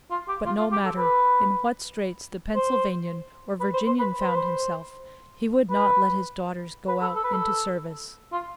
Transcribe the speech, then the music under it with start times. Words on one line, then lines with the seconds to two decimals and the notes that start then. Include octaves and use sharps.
But no matter in what straits the Pennsylvanian or Virginian found himself, he would not let his daughters go out into service.
0.11 F4
0.28 G4
0.46 F4
0.59 F4
0.72 G4
0.85 A4
0.98 B4
2.55 C5
3.60 B4
3.73 C5
3.87 C5
3.99 B4
4.20 C5
4.27 B4
4.35 C5
5.70 B4
6.88 B4
7.01 A4
7.14 A4
7.24 B4
7.33 A4
8.32 F4